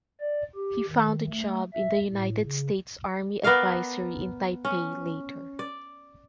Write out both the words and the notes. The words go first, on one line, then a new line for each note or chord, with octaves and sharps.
He found a job in the United States Army Advisory in Taipei later.
D5
G4
D#3
A3
E5
A2
C#3
B3 A#4 D5 F5
C#4
D5